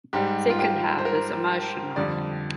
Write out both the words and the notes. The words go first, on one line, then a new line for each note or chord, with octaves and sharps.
Second half is emotional.
G#2 G3 G4
F4
G4
C5
A#4
F2 D3 G3 D5